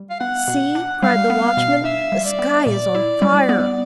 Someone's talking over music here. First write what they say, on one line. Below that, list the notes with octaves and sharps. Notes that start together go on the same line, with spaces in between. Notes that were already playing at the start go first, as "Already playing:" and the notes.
"See!" cried the watchman, "the sky is on fire!"
Already playing: G3
F5
B3 F#5
B2
D4
G3 F5
B3
B2
D4 E5
G3
D5
B3
A#2 D5
E4
G3
B3